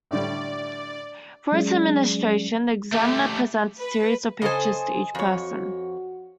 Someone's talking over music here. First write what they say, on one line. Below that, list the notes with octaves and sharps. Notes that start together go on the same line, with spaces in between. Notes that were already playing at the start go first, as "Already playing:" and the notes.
For its administration, the examiner presents a series of pictures to each person.
A2 D3 G3 D5
F#3 G#3 C#4 G#4 D5
A3 G4
B4
C#3 A4 C5 D#5 G#5
F2 F#4 C#5